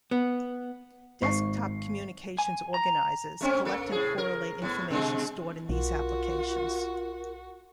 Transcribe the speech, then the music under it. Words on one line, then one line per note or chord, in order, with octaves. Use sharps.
Desktop communications organizers collect and correlate information stored in these applications.
B3
G#1 C#6 C7
G#5
A#5
A3 C4 C#4
A#3 A4
A2 G#4
A#4
A2 B3
B2 D3 G#3
B1 F4 F#4 A#4